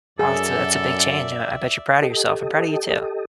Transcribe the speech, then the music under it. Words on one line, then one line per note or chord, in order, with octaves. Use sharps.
Well, that's a that's a big change. I I bet you're proud of yourself. I'm proud of you too.
F#2 G#4 A4 D5 E5
G4 A4 D#5